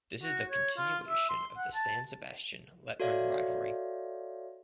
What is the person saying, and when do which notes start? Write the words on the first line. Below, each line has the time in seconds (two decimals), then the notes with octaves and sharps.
This is the continuation of the San Sebastian–Letran rivalry.
0.23 F#4
0.50 C#5
0.77 F4
1.09 E5
1.30 C6
1.57 F#5
1.75 A5
3.00 F#4 A4 C#5 D5 E5 F5